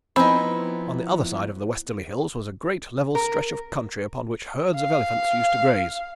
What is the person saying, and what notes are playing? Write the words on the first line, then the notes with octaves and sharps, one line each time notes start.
On the other side of the westerly hills was a great level stretch of country upon which herds of elephants used to graze.
F3 B3 C4 D#4 E4 G#5 B5
A#4
F5